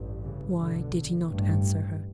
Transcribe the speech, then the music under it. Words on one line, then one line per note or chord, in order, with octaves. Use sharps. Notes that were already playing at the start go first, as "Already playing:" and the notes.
Why did he not answer her?
Already playing: A1 G2
C#3 E3
B1 B2 D3
A1 G2